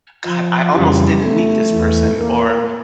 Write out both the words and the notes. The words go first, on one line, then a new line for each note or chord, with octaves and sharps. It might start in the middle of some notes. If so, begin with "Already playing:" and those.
"God, I almost didn't meet this person," or,
F3
F2 C#3 E3 G3
A3
E2 E3
A#3